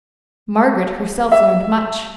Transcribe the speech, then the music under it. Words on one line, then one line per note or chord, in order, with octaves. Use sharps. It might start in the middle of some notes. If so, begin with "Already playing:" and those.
Margaret herself learned much.
E5